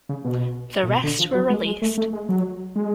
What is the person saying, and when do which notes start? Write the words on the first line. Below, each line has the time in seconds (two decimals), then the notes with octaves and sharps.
The rest were released.
0.09 C#3
0.24 B2
0.83 A2
0.88 B2
1.04 D3
1.19 F3
1.35 F#3
1.50 G#3
1.66 G#3
1.82 A3
1.98 A3
2.13 G#3
2.29 F#3
2.76 G#3